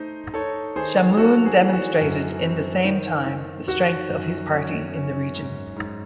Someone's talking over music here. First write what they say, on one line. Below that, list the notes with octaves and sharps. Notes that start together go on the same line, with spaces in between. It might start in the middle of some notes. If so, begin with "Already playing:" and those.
Chamoun demonstrated in the same time the strength of his party in the region.
Already playing: A3 D#4 C5 D#5
D#4 A4 C#5
D#3 G#4 C5
C4 F#4 A4
G#4
E3
F#4
F#2
C4
D#3
D#3
D#3 F#4
F#2
C#4
C#4
G#2
G#2